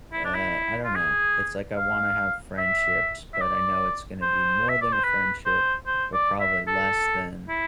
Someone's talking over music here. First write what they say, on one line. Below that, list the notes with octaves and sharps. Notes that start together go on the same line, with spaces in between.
uh I don't know, it's like I wanna have friendships, but I know it's gonna be more than a friendship, but probably less than,
E4
D4
E4
F4
G#4
F5
E5
E5
D5
C5
E5
D5
C5
B4
C5
C5
D5
E5
A4
E4